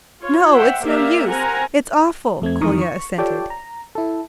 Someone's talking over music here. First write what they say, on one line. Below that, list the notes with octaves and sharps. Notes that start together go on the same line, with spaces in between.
"No, it's no use, it's awful," Kolya assented.
F4 C#5
C5 E5 F#5 G5
A#3 G4 A#4 D5 E5 F5
C4 A#4 F#5 G#5 A#5
F2 A3 C4 G#6
F2 D#3 E3 A#4 C#6 D#6
C#6
F4 G4 A4 C#5 D5 G5
A#5
E4 A4